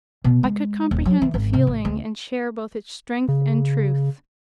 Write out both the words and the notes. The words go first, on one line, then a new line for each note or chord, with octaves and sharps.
I could comprehend the feeling, and share both its strength and truth.
B2
G#3
D#1
F#3
E3
G#1
C3
A1
D2
C#3